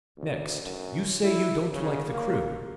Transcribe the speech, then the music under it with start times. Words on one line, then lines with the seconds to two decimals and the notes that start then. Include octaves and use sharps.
Next, you say you don't like the crew.
0.18 D2
0.61 F#2
1.23 E4
1.72 C#3
2.07 A#3